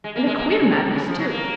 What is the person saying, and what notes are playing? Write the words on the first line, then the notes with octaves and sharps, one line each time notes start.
And a queer madness, too.
G#3
A#3
G#3
A#3
G#3
C#3
C3
C#3
F3
F#3
A#3